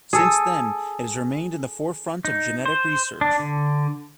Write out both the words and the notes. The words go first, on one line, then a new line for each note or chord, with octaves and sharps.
Since then, it has remained in the forefront of genetic research.
G#4 A4
D#4
C5
D4
D3